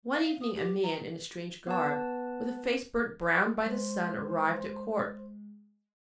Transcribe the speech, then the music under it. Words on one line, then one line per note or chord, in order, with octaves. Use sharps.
One evening a man in a strange garb, with a face burnt brown by the sun, arrived at court.
F5
D#6
G4
A#5
B3 B4 A5
G#3 C5